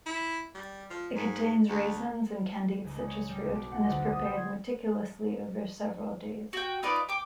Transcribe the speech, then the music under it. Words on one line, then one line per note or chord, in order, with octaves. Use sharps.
It contains raisins and candied citrus fruit and is prepared meticulously over several days.
E4
G3
F3
G#2
D2
C#2
G#3
C#5
G3
B1
D6
F#5
D2
E6
D#6
C5
G#6
F#4 G5
D#4 F4 B4 D5
G5 D6